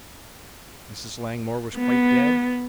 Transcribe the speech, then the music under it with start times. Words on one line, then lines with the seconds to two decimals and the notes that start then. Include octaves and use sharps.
"Mrs. Langmore was quite dead?"
1.78 B3